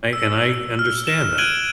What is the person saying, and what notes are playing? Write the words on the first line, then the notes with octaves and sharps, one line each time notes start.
I and I understand that.
E6
F6
E7
F#6 G#6 D7 D#7 F#7 G7